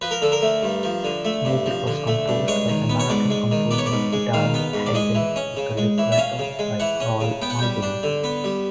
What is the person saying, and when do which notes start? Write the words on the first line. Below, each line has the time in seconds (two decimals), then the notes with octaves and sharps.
Music was composed by American composer Daron Hagen with a libretto by Paul Muldoon.
0.01 F3 B4
0.11 A#4
0.22 D3 A4
0.32 A#4
0.42 A3
0.63 G2
0.83 F3
1.04 D3
1.25 A3
1.45 G2
1.66 F3
1.87 D3
2.07 A3
2.28 G2
2.48 G#3 C#5
2.68 D#3
2.89 B3
3.00 C#5
3.10 G#2 D5
3.30 G#3
3.51 D#3
3.71 B3 D5
3.78 C#5
3.86 D5
3.92 G#2
4.13 G#3
4.33 D#3 F5
4.54 B3
4.74 G#2
4.86 D5
4.94 G#3 D#5
5.15 E3
5.36 C#4
5.57 C#3
5.77 G#3
5.98 E3
6.12 E5
6.18 C#4 F5
6.39 C#3
6.59 G#3
6.80 E3 F#5
7.00 C#4
7.21 C#3
7.42 B3 G5
7.50 F#5
7.59 G3 G5
7.82 D4
8.03 D3
8.24 B3
8.44 G3